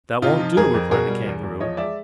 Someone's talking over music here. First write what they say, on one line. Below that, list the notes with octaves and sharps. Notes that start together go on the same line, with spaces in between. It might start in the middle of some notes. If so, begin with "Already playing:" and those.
"That won't do," replied the Kangaroo.
C3 D#4 F4
F3
F2 G#4 A#4
F2
B2 G#4 A#4
G3
E2
E2
F3 C#5 D#5
G#3 D5 E5